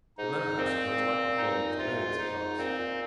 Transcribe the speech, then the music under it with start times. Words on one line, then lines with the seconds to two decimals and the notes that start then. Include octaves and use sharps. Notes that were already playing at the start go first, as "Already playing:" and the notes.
"The manor-house has most likely fallen to ruin!" said Father Snail.
0.18 G#2 D#4
0.43 G#2
0.57 A#2 C4
1.37 D#4
1.73 D#3
1.78 C3 F4
1.91 A#2
2.05 G#2
2.19 D#4
2.58 A#2 C4
2.78 A#2